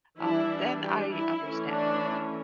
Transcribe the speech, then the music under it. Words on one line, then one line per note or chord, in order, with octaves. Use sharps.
um, then I understand.
E3 G3 D4 E4
G4
E4
E3 A3 C#4
D4